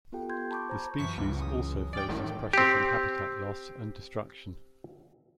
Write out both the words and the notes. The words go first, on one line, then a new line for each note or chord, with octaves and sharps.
The species also faces pressure from habitat loss and destruction.
B3 F4 G4 A4 G5
C6 G6 G#6
A5 B5 C#6 D6 G6
C5 A#5 C#6
F#2 E3 C#6 B6
C#2
D#6
C#4 D5 G5 F6 A6
A1 A2 D#3
C4 G4